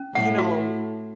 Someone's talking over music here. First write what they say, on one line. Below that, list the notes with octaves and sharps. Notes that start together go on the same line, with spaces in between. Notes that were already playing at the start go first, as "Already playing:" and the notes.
you know,
Already playing: C#4
A2 F#5
F#4